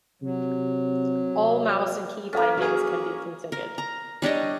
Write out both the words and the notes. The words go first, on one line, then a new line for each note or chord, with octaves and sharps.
All mouse and key-bindings can be configured.
C3 F#3
A#3 C#4 A4 F5
F#3 G#4
A#4
A#5
G3 D4 C#5 D#5